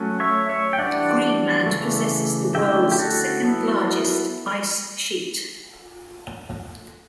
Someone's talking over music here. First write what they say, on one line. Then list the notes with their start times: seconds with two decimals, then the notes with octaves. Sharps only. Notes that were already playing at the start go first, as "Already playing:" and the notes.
Greenland possesses the world's second largest ice sheet.
Already playing: F#3 A3 C#4
0.20 C#5 E5
0.49 C#5 E5
0.73 G5
0.79 E3 G3 D4 D5 F#5
1.66 C#3 E3 A3
2.54 D3 A3 C#4 E4 E5 G5
2.92 G4
2.99 F#4 A4
3.42 F#3 B3 E4